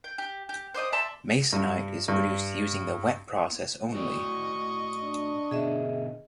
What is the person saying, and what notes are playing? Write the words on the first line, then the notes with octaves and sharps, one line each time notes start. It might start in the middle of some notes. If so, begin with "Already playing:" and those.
Masonite is produced using the wet process only.
G5
G4
G4
C5 D5 D#5 D#6
D5 E5 A5 C6
G2
G2
A2 F#4 D5 D#5 C#6
D4
B2 D3 G#4 D#5 E5